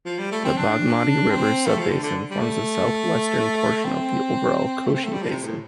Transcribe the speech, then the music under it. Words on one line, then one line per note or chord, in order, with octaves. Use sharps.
The Bagmati river sub-basin forms the south-western portion of the overall Koshi basin.
F3
G3
A3
C4
D4
C4
A3
F3
D3
D3
G3
A3
C4
A3
C4
A3
G3
F3
C3
A2